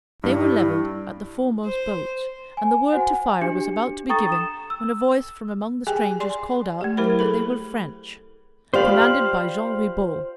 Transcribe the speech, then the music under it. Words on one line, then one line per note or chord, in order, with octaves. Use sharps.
They were levelled at the foremost boats, and the word to fire was about to be given, when a voice from among the strangers called out that they were French, commanded by Jean Ribaut.
G2 G3 E4
C5
G#5
F#4 C5 F#5 G#5
D4 G4 C#7
A4 G5 A#5 C#6 D#6 A6
E7
E6
G4 G#4 G5 G#5
D5 G#5 C6
A3 G4
F#3 E4 A#4 C5 B5
G#4 A4 B5
F4 G4 C5 D5 F5 B5